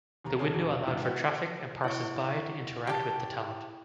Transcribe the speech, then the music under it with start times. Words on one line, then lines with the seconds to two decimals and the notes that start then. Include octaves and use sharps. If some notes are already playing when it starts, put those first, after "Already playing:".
The window allowed for traffic and passers by to interact with the talent.
0.24 D#2 C3 A#5
0.39 G#4 C#5 G#5 A5
0.54 E2 B2 D3
0.68 G2 B2 G3
0.87 G#2 D#3 E3 D4 E4 F4
1.02 B3 C4 F#4 D#5 E5 G5
1.84 E4 C#5 D#5 F#5 C#6
2.87 G4 A5